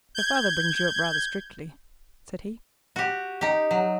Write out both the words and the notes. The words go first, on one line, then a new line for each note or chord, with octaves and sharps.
"Your father brings you up rather strictly?" said he.
G6 G#6
F#4 G4
D#4 G4
F#3